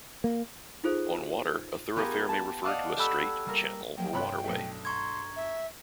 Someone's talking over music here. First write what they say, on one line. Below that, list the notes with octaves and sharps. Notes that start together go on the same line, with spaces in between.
On water a thoroughfare may refer to a strait, channel or waterway.
A#3
D#4 F4 G#4 A4 C5
B3 F4 G4 G#4 A#4
A5
D5 D#5 F5 F#5 A5 D6
G4 A4 F#5 G#5 B5 E6
G3 A#3 A#4
F3 F#3 A#3 G5
G2 C3 A4 C#5 B5 F#6
B1 A3
A#5 C6 C#6 G#6
E5